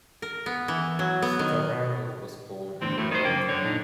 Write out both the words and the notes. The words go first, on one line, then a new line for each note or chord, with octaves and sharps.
Storaro was born in Rome.
A#4
B3
E3
F#3
B3
D#3
E2 A2 D3 C4
A2 A3
D#3 D#4 C5
F#2 C#3 A#3 G5
F#2 D3 C#5
A#2 D4 D#4